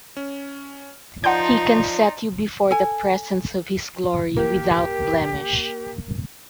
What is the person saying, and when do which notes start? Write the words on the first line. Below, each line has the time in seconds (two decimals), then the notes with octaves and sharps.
He can set you before the presence of his glory without blemish.
0.17 C#4
1.24 F3 D#4 D5 F#5 A5 C6 G6
2.71 A4 G#5
4.37 A#3 G4